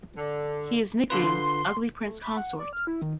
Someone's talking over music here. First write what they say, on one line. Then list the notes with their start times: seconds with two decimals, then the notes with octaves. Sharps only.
He is nicknamed "Ugly Prince Consort".
0.17 D3
1.10 D3 F4 B4 C6
2.05 A3
2.22 B5
2.37 F#5
2.59 D5
2.73 F6
2.87 E4
3.02 D#3